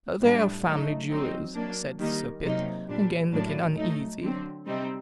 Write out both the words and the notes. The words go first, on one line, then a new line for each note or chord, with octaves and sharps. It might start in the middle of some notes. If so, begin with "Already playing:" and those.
"They are family jewels," said Sir Pitt, again looking uneasy.
A2 G3 D4
F#3 A3 D#4
F#3 C4 D#4
F#3 A#3 D4
D#3 G3 A#3 D#4
C3 F#3 A#3 D#4
A#2 G3 D4
A2 F#3 A#3 D4
F#3 A3 D#4
D3 F#3 C4
C3 G3 C4 D#4